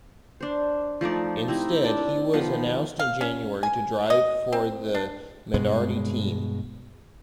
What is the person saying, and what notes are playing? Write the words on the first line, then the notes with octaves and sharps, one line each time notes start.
Instead, he was announced in January to drive for the Minardi team.
D4 C5
F3 A3 D#4 D5
C4 D#4 E4 G4
D4 G5 A5
D#3 F3 B3 B4
F5
C#4
G#5
D#5
C4
D4
G2 B2 G#3